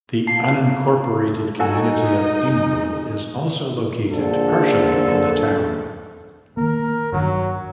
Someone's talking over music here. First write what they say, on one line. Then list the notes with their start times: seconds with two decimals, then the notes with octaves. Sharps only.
The unincorporated community of Ingle is also located partially in the town.
0.27 A#3 A5 C7
1.59 D#4 F#4 A4 D#5 G#5
4.11 A#1 D3 A4
6.57 D#3 A#3 A#4
7.12 G2 D#3 F#3